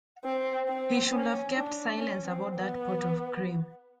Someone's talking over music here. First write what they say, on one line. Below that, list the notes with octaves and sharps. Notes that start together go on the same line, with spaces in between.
He should have kept silence about that pot of cream.
C4
C4
C#4
D4
C#4
C4
B3